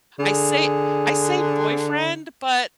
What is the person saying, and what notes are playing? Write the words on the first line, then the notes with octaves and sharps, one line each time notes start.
I say I say boyfriend, but
D3 G#4